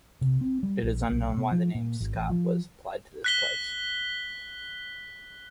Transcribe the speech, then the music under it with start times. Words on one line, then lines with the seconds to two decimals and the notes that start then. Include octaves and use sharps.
It is unknown why the name "Scott" was applied to this place.
0.21 C3
0.41 C4
0.63 G3
0.83 A#1
1.11 B1
1.37 B2
1.52 F3
1.75 A#2
2.01 G#1
2.15 A1
2.30 F3
3.24 F#6 B6 G7